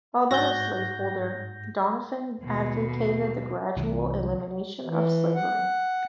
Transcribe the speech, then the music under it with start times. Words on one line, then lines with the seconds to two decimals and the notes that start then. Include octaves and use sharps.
Although a slaveholder, Doniphan advocated the gradual elimination of slavery.
0.31 G#2 F#4 G6 A6 A#6
2.42 D#2 B2
3.76 C2 E3
4.85 E3
5.35 F#5